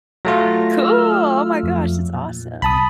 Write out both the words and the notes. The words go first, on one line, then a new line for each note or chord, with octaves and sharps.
Cool! Oh my gosh. That's awesome.
F#3 A3 F4 A#6
E6 F6
F2
A#2
C2 A5 B5 D#6